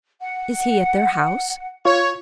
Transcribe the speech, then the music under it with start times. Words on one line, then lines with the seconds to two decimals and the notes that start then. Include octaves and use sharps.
"Is he at their house?"
0.21 F#5
1.85 F4 C#5